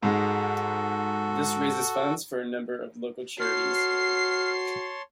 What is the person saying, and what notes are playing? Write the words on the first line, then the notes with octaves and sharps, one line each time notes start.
This raises funds for a number of local charities.
G#2 G#3 F#4 A4
F#4 C#5 A5 C6 F6 C7